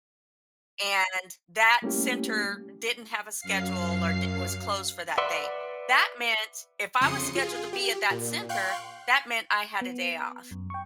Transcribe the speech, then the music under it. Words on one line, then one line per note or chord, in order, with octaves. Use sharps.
and that center didn't have a schedule or d was closed for that day, that meant- if I was scheduled to be at that center- that meant I had a day off.
G3 A3 A#3 C#4 E4 G4
F#2 F5 C7
B4 D5 E5 F#5 C6
F2 C#3 C6 D#6 C#7
F4 G#4
G4
A#2
F5 G5 C6 C#6 F#6 G6
B3
F#2
G5 C#6